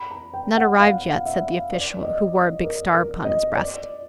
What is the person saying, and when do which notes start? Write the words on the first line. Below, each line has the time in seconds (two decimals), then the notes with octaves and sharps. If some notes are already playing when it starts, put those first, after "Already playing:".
"Not arrived yet," said the official, who wore a big star upon his breast.
Already playing: B5
0.11 A#5
0.34 G5
0.57 F#5
0.80 F5
1.26 E5
1.72 D5
2.03 D#5
2.64 A#4
2.94 A#4
3.25 D#5
3.55 D5